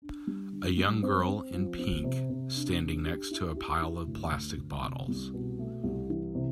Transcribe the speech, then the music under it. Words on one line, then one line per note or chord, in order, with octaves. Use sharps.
A young girl in pink standing next to a pile of plastic bottles.
D4
G3
D3
G3
C4
C4
F3
C4
C3
C3
D4
D4
G4
E4
G4
E4
D2
D2
D2
C3
C2
B2
A3
C2
E3
C3